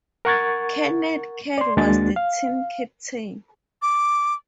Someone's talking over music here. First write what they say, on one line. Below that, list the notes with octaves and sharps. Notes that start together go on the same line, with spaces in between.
Kenneth Kerr was the team captain.
A#4 F#5 C#6 G#6 A6
D5 C6
D#2 G#3 A#3 D4 F#4 A6
F5
D6